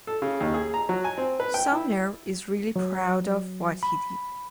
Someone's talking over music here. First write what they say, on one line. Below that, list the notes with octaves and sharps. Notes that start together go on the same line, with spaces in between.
Sumner is really proud of what he did.
A4
C#3
D#2
G#4
A#5
F#3
G#5
C4
B4
G5
E4
F#3
B5